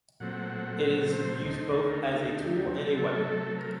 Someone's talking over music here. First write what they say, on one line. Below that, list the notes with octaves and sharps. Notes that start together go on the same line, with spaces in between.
It is used both as a tool and a weapon.
A#2 F#3 A3 C4 F#5
C5
D2 D3 A3 D#4
A#4
G4
C3 F#3 A3
A4
A#4